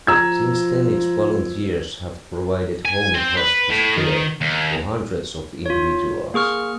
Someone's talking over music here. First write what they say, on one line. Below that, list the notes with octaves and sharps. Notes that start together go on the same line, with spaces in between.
Since then its volunteers have provided home hospice care for hundreds of individuals.
F3 A#5 E6 G#6
G#5
C4
B4
A2
D#3
D#2
F4 C#5
A#3 G#4 C#6 F6